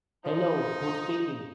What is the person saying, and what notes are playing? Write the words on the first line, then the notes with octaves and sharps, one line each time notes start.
Hello, who’s speaking?
F3 D#4